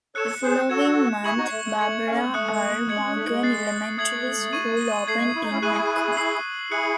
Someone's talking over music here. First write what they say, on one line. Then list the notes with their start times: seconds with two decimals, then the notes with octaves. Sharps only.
The following month Barbara R. Morgan Elementary School opened in McCall.
0.15 A4 C#5 F#6 C#7 E7
0.42 G#4 C5
0.70 F#4 A4 G#6 C#7 E7
1.24 E4 G#4 C#6 G#6 C#7 F#7
1.37 D#4 F#4
1.51 A3
1.65 A3
1.78 A3 G#6 C#7 F#7
2.06 A3 C#4
2.34 A3 D#6 F#6 C#7
2.89 G#3 D#6 G#6 C#7 F#7
3.02 G#3
3.16 A3
3.29 G#3
3.43 F#6 A6 C7
3.98 A3 D#6 G#6 C7 F#7
4.53 C#6 G#6 D#7
5.07 A3 G#6 C7 F#7
5.17 G#3
5.25 A3
5.35 E4
5.42 D#4
5.50 C#4 E4
5.62 E4 G#4 C#6 F#6 C7 D#7 F#7
6.17 E6 C7 F#7
6.71 E4 G#4 D#6 F#6 C#7 F#7